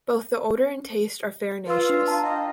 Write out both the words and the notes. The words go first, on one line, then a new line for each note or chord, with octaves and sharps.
Both the odor and taste are farinaceous.
F4 B4 E6
D4
A5 A#5
D#5 F5 G5